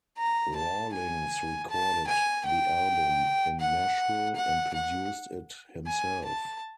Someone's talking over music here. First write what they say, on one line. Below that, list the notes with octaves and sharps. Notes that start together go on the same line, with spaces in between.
Rawlings recorded the album in Nashville, and produced it himself.
A#5
A5
G#5
A5
G#5
G5
F#5
F#5
F#5
G#5
A5